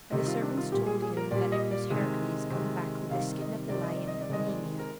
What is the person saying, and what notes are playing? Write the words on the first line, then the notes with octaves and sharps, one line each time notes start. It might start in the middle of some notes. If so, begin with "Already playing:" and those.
And the servants told him that it was Heracles come back with the skin of the lion of Nemea.
C3 D#3 G3 D#4
F4
D4
F4
A#2 G3 G4
G#4
G#4
A#4
A#2 G3 D5
D#5
D5
C3 D#3 G#3
C3 D#3 G#3
C3 D#3 G3 F5
D#5
C3 D#3 G3 D5
D#5
D5
D#5
D5
C3 D#3 G#3 D#5
D5
A#4